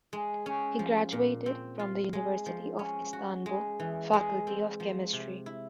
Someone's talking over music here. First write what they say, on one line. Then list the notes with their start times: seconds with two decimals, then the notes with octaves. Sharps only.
He graduated from the University of Istanbul, Faculty of Chemistry.
0.13 G#3
0.46 C#4
0.79 F3
1.12 A#2
1.46 C4
1.79 F4
2.13 G#3
2.46 F3
2.79 C#4
3.13 F#4
3.46 G#3
3.80 E3
4.13 G#3
4.47 C4
4.80 F3
5.13 C3
5.46 E4